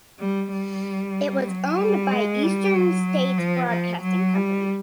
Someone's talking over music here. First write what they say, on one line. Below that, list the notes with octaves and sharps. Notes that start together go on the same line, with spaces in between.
It was owned by Eastern States Broadcasting Company.
G3
G3
F#3
G3
G#3
G3
F#3
F3
F3
F#3
G3